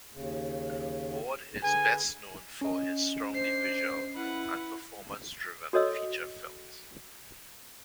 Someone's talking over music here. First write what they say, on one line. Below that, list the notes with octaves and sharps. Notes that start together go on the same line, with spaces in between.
Ward is best known for his strongly visual and performance driven feature films.
D#2 C#3
D3 G#4 B4 G#5
C#4 D#5
D4 C5 C7
E4 B4 F#5
F#4 A4 C#5 D#5 E6